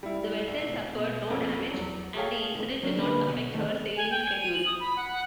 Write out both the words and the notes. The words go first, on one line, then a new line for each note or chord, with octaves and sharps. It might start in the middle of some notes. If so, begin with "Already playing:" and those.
The vessel suffered no damage and the incident did not affect her sailing schedule.
G3 E4
A#1
B2
F2 A#3 C#4
E2 F#3
G#4 A4 C#5 F5 G5 A5
F#3 C#4 D4
D3 A#3 D4 B4
B2
D#3 A3 C4
G#5
G5
G#5
D#7
F#7
D#6
B5
F#5
F#5